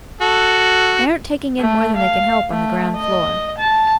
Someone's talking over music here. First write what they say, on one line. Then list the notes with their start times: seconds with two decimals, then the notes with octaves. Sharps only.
They aren't taking in more than they can help on the ground-floor.'
0.21 F#4 A4
1.60 A3
1.96 F5
2.51 A3
2.96 D#5
3.58 A5